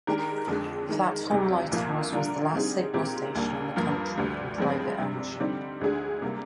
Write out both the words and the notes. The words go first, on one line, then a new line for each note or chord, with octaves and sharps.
Flat Holm Lighthouse was the last signal station in the country in private ownership.
D#3 G#3 D4 G4 A#4
F2 D3 G#3
D#3 G#3 D#4
D2 C3 G3
C2 A#2 F3 A#3
D3 G3 D4 F4 A#4
D3 G3 C4 D#4 G#4
A#2 G#3 C4 G4 A#4
D#2 D3 G3 A#3
G2 F3 A#3
D2 D3 G3 D4
G2 F3 G#3 C4
C3 G3 D4
D3 G3 C4 D#4 G4
D2 D3 G#3 D4 G#4
C3 G3 A#3